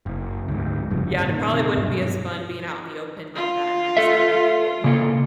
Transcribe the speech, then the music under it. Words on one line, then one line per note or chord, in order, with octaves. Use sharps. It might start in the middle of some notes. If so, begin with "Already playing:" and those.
Yeah, and it probably wouldn't be as fun being out in the open like that in Mexico with a kid.
F#1
D2 G#2
F1 G2 C#3 F3
A#2 D#3
C3
G2 B2 F3 F#3
F4
A4 E5
C#3 A#3 A4